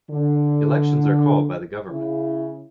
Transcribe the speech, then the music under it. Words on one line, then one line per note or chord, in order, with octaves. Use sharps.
Elections are called by the government.
D3
C#3 E4